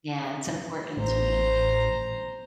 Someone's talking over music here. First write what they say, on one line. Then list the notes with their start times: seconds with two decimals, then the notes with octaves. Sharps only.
Yeah, it's important to me, it's important.
0.97 A1 C5 A#5